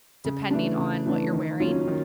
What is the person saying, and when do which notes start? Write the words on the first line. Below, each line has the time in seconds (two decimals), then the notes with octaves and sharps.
depending on what you're wearing,
0.24 C#3
0.51 E3 A3 D4
0.78 C#3
1.06 E3 A3 D4
1.33 D#3
1.60 F#3 A#3 C#4 F4
1.88 D#3